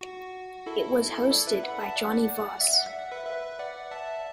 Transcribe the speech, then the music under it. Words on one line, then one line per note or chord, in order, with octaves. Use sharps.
It was hosted by Jonny Voss.
F#4
E4 A4
A4 D5
B4 E5
F#5 B5
E5 A5
D5 F#5
E5
F#5
E5
F#5
B4 E5
B4 E5
D5 F#5
E5 A5